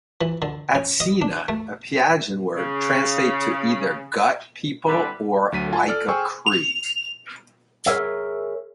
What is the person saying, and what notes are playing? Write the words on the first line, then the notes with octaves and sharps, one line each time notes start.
"Atsina", a Pieagan word, translates to either "gut people" or "like a Cree".
E3
D3
C#4
D#5
D4
A3
C#3
D3 G3 C4 E4 B4
D2 F#3 B6 D#7
F4 G#5 A5
A4 D5 F6
G#4 C5 G5 G#5 C#6 E6
F7
G#4 A#4 C#5 E5